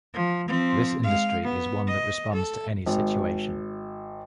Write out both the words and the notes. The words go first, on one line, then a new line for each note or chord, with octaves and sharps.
This industry is one that responds to any situation.
F3
F3 C4
G#3 F5
B3
D#5
A4
G#1